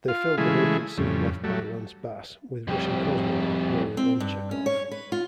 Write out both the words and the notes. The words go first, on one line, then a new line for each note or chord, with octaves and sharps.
They filled the vacant seat left by Lance Bass with Russian cosmonaut Yuri Lonchakov.
F4 F5
C#3 E3 G#3 A3 E4 G#4
F2 A2 C#3 G3
F#3 G3 A3
F2 G3
C4
G2
C#4
C#5
B4
F4